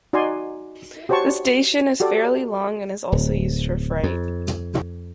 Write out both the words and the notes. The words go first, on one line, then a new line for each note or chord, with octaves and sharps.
The station is fairly long and is also used for freight.
D#4 F#4 D5 D#5 G#5 C6
F#4 G4 C5 C#5 A5 C#6
F#4 G4 A4 D5
D1
F2